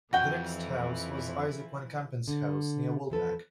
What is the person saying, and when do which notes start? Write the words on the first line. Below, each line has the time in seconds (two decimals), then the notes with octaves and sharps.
The next house was Isaac Van Campen's house near Walpack.
0.13 F2 E3 F3 E4 F#4 G5
2.28 D3
3.10 E2 F3 A4 B4